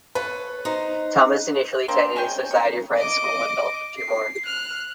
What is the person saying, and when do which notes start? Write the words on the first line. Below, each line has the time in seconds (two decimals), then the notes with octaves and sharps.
Thomas initially attended a Society of Friends school in Baltimore.
0.15 A4 B4 C#5
0.65 D#4 C5 A#5
1.88 A#3 C4 D4 C5
2.16 G#3 G#4 C#5 G5
2.51 C#5 A#5
2.96 D#5 D6
3.97 C7
4.46 F6 F#6